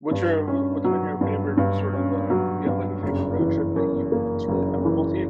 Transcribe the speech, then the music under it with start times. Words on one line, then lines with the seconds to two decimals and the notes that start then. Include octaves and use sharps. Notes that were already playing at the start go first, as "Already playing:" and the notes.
what's your what's been your favorite, sort of uh, do you have, like, a favorite road trip that you it's really memorable to you?
0.11 G2
0.48 C#4
0.84 F#3
1.21 G2
1.57 G2
1.93 C#4
2.30 F#3
2.66 G2
3.03 F#1
3.39 E3
3.76 F#2
4.12 A#3
4.48 F#1
4.85 E3